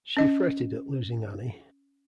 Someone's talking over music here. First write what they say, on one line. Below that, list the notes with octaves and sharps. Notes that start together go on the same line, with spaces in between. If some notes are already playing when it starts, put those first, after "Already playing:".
She fretted at losing Annie.
C#4 D#5